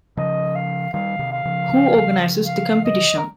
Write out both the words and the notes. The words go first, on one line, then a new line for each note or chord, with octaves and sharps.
Who organises the Competition?
C#3 F3 D#5
F5
D#3 G3 F5
C3 D#3
F5
C#3 F3
F5
D#5
A#4